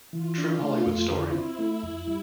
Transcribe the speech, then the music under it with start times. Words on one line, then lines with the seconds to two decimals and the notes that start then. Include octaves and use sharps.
True Hollywood Story.
0.13 E3 F4
0.38 D4
0.62 A3
0.86 F2
1.10 D3 E4
1.35 C4
1.59 A3
1.83 F2
2.07 G3